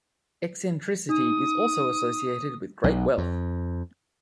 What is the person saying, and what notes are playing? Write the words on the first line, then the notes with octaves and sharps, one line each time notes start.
Eccentricity is also associated with great wealth.
D#4 D#6
B1 B3
F2